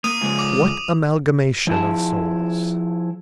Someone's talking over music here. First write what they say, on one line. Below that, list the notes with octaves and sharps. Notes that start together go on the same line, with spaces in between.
What amalgamation of souls!
A#3 D#6 D#7 F7
C#3 F3 G#3
D6
F3 E4 G#4 A5